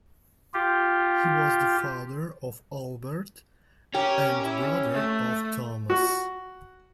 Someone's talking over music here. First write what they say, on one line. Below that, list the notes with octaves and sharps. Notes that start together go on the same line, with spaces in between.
He was the father of Albert and brother of Thomas.
F4 G4
C#4 G4 A#4
E4
A3
F#4